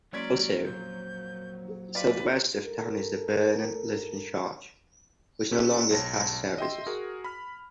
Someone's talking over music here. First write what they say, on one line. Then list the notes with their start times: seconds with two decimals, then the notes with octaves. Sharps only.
Also, southwest of town is the Vernon Lutheran Church, which no longer has services.
0.13 F#3 G#3 A#3 C#4 D5 C6 G#6 B6
0.65 F2 A#2 F3 G6
1.95 F4 G4 B4 D5
2.64 A4 A#4
5.52 C#4 G4 A4 B4
5.90 B1 C#5 A5 A#6
6.58 D#5 E5 G5 C6
6.86 F#4 G#4 A#4
7.24 B5 F6